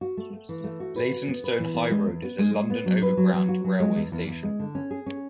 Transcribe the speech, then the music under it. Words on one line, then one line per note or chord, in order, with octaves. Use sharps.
Leytonstone High Road is a London Overground railway station.
F#4
A3
A3
E3
A3
F#4
B4
F#4
B3
B4
E3
B3
G#3
E2
B3
G#3
G#3
B3
F#3
B4
F#3
F#3
F#4
F#3
G#3
E2
E2
E2
G#3
D3
C#4
G#4
C#4